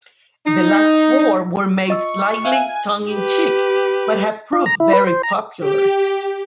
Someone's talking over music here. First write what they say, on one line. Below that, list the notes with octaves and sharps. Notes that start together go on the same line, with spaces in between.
The last four were made slightly tongue-in-cheek, but have proved very popular.
D#4
F4 D#5 C#6 E6
E5 F5 G#5 F#6
G4 B4
F4
A#5
E4
B4
C5
A#5
G4